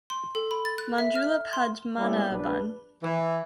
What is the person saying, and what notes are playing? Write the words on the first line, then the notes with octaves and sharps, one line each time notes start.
Manjula Padmanabhan.
C6
A4
B5
A6
F#6
E5
F6
C6
G3 A#3 B3 C#4 E4
A#1 G2 D4 B4
E3